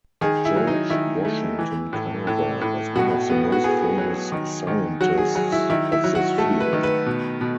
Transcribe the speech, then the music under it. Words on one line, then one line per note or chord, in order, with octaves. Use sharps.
George Washington Carver was one of the most famous scientists of this field.
D#3 G#4
E4
F#3
D#4
D#3 E4
A3
E3
A2
A2
A2
B2 F#4
B3
F#4
B3 G#4
F#3
D#3
D#3
F#3 F#4
G#4
F#3 G#4
E4
D#3 E4
E4
F#3
F#4
A3 A4
B4
D#3
B4
B2
B2